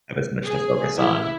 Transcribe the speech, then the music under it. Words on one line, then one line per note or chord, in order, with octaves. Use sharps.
have as much to focus on.
G#4
E4